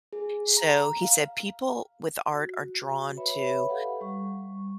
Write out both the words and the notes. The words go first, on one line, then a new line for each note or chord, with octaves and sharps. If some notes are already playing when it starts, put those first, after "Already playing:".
So, he said, "People with art are drawn to
G#4
A#5
F5
F#4
B4 C#5 E5 B5
G4 A4 B4 F5 F#5
G3 C#6